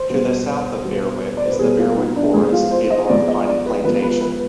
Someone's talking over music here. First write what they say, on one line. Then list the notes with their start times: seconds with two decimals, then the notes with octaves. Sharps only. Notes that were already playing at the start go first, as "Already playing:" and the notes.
To the south of Berwick is the Berwick Forest, a large pine plantation.
Already playing: C5
0.10 B2 G3 B3
0.85 B2 G3 B3
1.37 D5
1.43 C5
1.52 B4
1.59 B2 G3 B3 G#4
1.79 F4
1.97 D#4
2.16 D4
2.34 G#2 F3 G#3 B3 G#4
2.52 F4
2.71 C5
2.90 D#5
3.08 G#2 F3 G#3 B3 D5
3.28 D#5
3.47 D5
3.66 B4
3.83 G#2 F3 G#3 B3 B4
4.03 B4
4.21 B4